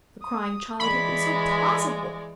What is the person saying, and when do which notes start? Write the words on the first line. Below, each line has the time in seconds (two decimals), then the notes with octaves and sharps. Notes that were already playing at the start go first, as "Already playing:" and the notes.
The crying child had been so plausible!
0.22 D#6
0.80 E3 G#3 D5 B5